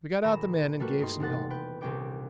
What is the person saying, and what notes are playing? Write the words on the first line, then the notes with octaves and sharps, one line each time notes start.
We got out the men and gave some help.
D#1 A#5 B5 E7
G3 A3 A#3 F#4 B4
G2 D#4 C6
E1 C3 F#5 A6
B4 G5
D#1 C2 C3 C#4 G5 D6